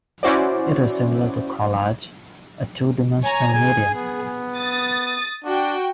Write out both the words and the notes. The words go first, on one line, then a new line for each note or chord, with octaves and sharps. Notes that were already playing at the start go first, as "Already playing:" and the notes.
It is similar to collage, a two-dimensional medium.
C#4 E4 F#4 C5 D5
C#5 G#5 A#5
G#4 G#5
B3
D#6 A6
D4 F#4 G5